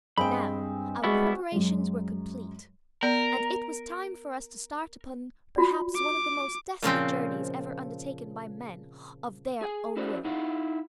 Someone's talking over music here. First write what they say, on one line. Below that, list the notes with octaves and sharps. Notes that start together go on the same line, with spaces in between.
Now our preparations were complete, and it was time for us to start upon perhaps one of the most desperate journeys ever undertaken by men of their own will.
G2 G#3 C4 C5 G5 B5
G3 G#3 B3 E4 F#4
F#2 F#3 G#3
B3 A#4 D5
F4 F#4 D5
D6
A#2 C#3 F3 C4
G#4 G#5
C#4 E4 F#4 A#4 C5 D5
D#4 E4 F5 F#5